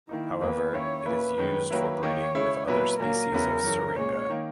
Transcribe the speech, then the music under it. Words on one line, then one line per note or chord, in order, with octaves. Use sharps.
However, it is used for breeding with other species of "Syringa".
D#3 A#3 D#4 E4
E2 D#3 A#3 B4
D#3 A#3 C#4 E4 C#5
A#2 A#3 C#4 E4 B4
F#2 D#3 G#3
D#3 F#3 A#3 E4 B4
D#3 A#3 D#4 C#5
C#3 G#3 C#4 E4
A#2 F#3 B3 E4 B4
A#2 F#3 A#3 A#4
E2 C#3 F#3 B3 E4
F#2 C#3 E3
A#2 G#3 C#4 C#5
D#3 A#3 D#4